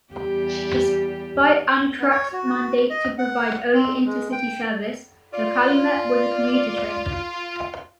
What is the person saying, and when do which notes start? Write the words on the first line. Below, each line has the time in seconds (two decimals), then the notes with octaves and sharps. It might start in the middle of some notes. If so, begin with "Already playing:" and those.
Despite Amtrak's mandate to provide only intercity service, the "Calumet" was a commuter train.
0.13 E2 G3 G4
2.00 B3
2.11 C#5
2.32 F#4
2.90 D#5
3.18 F#5
3.74 C4
4.06 G#3
4.32 G5
5.34 F4 D5